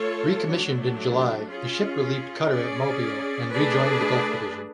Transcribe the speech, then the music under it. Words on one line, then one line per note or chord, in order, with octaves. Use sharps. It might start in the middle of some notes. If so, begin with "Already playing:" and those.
Recommissioned in July, the ship relieved cutter at Mobile and rejoined the Gulf Division.
Already playing: A3 F4 A4 C#5
F#3 A3 D4
C#4 F4 G#4
C#4 G#4 D5
A3 D4 G#4 B4 D5